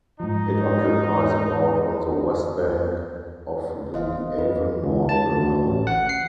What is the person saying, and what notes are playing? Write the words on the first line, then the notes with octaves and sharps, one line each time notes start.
It occupies about on the west bank of the Avonmore River.
G#2 F3 D#4
D#2
F#1 C5 D#5 F5
E2 B4
C#2
A5
D2
A1
F#5
C7